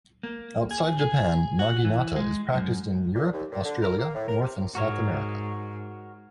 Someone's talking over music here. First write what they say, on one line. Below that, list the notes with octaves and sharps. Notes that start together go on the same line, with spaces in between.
Outside Japan naginata is practiced in Europe, Australia, North and South America.
A#3
G#4
G#4
F#4
E3
G#3
F#2
A#2
D#2
A#2
D3
A#4
A#3
A2
A#4
C3
G#2 F#4 A#4 C#5